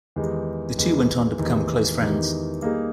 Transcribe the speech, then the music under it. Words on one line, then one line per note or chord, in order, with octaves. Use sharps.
The two went on to become close friends.
E2 D#3 G#3 D#4 G4
E2 D#3 G#3 D#4 G4
E2 D#3 G#3 D#4 G4
E2 D#3 G#3 D#4 G4
G3 A#3 D#4 G#4